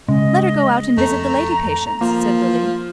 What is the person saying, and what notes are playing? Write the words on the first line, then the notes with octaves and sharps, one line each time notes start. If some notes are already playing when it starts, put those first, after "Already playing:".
"Let her go out and visit the lady patients," said Lily.
C#3 G#3 D#5
F2 A3 A#5
F3 A#3